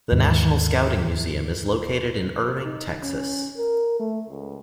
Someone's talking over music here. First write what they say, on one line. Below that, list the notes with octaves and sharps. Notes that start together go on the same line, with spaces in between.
The National Scouting Museum is located in Irving, Texas.
D#2 G#2
D#4
C#4
A#4
A3
C#2